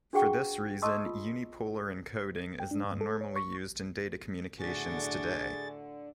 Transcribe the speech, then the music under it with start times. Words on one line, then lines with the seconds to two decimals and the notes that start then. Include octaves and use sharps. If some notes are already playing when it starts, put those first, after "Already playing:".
For this reason, unipolar encoding is not normally used in data communications today.
0.13 D4 F#4 G#4 F#5 G5 C#6
0.82 D#5 A5 C6 C#6 D#6 E6
1.06 F4
2.60 G5
2.71 D4
2.85 G2
3.01 A4
3.21 C#5
3.36 C#6
4.60 A2 D3 D4 F#4 G#4 A6